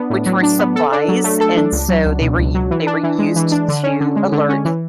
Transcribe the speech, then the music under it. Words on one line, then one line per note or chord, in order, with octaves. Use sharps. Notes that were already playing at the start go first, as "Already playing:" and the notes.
which were supplies, and so, they were u they were used to alert
Already playing: B3 D4
A2
F#3
D4
B3
A4
D4
F#3
A3
A4
D4
C#2
F#3
C#2
B2
C#2
F#3
E3
D4
E3
G#3
E3
D4
D3
C#4
D3
G#3
D3
C#4
E3